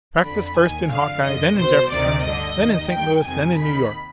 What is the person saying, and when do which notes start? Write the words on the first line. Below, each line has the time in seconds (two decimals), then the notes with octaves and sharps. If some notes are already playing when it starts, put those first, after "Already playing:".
Practice first in Hawkeye, then in Jefferson, then in St. Louis, then in New York!
0.24 F2 D3 B5
0.57 D#2 D#3 G#5
0.91 F2 D3 F5
1.24 F2 D3 D#5
1.57 C2 B2 C5
1.90 D2 C3 D#3 D5
2.23 G2 D3 D#5
2.57 D#2 D#3
2.90 G2 D#3 G5
3.23 F2 C3 D#3 G#5
3.57 D#2 D#3 B5